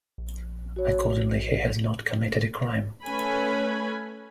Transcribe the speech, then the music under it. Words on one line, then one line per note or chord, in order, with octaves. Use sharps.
Accordingly, he has not committed a crime.
A#1
F#4 C#5
A3 C#4 A4 B4 G#5 B5